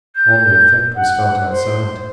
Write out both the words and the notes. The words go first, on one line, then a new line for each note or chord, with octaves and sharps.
All the effect was felt outside.
G6
F#5
C5